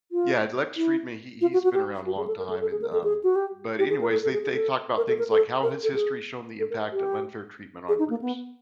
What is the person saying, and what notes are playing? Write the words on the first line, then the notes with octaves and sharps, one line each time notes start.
Yeah, Lex Friedman, he he's been around a long time and, um b but anyways, they they talk about things like how has history shown the impact of unfair treatment on groups.
F4
E4
F4
F#4
F#4
G4
F#4
G#4
A4
A#4
A4
A4
G#4
A#4
A4
G#4
F#4
G4
G4
G#4
A#4
A4
A4
G#4
G#4
A4
A#4
A4
A#4
A4
A#4
A4
G#4
A4
A#4
G4
G#4
D#4
A#3
B3